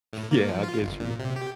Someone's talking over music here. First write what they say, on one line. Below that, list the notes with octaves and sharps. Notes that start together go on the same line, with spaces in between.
yeah. I get you.
A2
A#3
F3
F4
G1
A#2
C3
G4